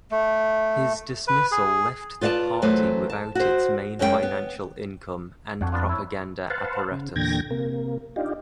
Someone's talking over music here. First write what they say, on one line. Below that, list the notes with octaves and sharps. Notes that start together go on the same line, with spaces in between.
His dismissal left the party without its main financial income and propaganda apparatus.
A3
B4
G#4
F4 B4 D5 F5 A5
E2 F#3 A3 B4 C5
A5
F#4 C5
F#2 G#3 C#4 G4 G5
B3
F2 D4 F#4 D5
B3 D4 F4
E4 C#5
B4 C5 F5 F#5 A5
C#3
E2 A#2 D3 G5 G#6 A#6
C3 A#3
D4 D#4 F4 G4